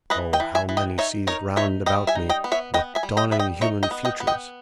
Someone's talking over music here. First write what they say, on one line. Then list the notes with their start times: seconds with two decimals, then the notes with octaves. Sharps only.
Oh, how many seas round about me, what dawning human futures!
0.10 E3 B4 D#5
0.33 D#5 G5
0.40 E3
0.55 E5 G#5
0.69 E3
0.77 D#5 G5
0.98 D#4 C#5 E5
1.27 D#4 A#4 C#5
1.56 D#4 C#5 E5
1.86 G3 D#5 G5
2.07 E5 G#5
2.15 D#4
2.29 D#5 G5
2.44 B3
2.52 C#5 E5
2.74 B3 D#5 G5
2.95 E5 G#5
3.03 G3
3.17 D#5 G5
3.31 B3 E5
3.39 D#5 G5
3.61 D#4 C#5 E5
3.83 D#5 G5
3.91 B3
4.05 D#5 G5
4.20 B3
4.27 D#5 G5